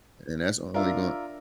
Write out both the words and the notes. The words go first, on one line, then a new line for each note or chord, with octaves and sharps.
And that's only gonn
D4 F4 A#4 D5 E5